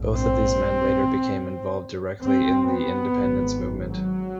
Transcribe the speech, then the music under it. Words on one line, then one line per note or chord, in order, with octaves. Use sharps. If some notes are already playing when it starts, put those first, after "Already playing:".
Both of these men later became involved directly in the independence movement.
Already playing: A#1 G#2
C4
C4
B3
G#1 G#2
F#3